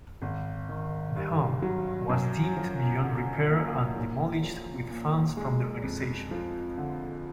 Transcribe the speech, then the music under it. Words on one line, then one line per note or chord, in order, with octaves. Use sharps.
The home was deemed beyond repair and demolished with funds from the organization.
G#1
D#3
G2
F#3
F#2
F3
D3
A#3
A#1
F3
A#2
G#3
F2
F3
D3